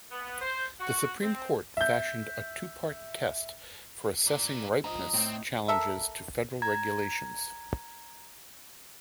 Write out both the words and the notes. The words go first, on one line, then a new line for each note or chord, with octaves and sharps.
The Supreme Court fashioned a two-part test for assessing ripeness challenges to federal regulations.
B3
C5
F#4
C4
E5 G6
A#4 D5
F#2 D#5 A#5
A2 C4
A4 A#4 E5
A#5 G#6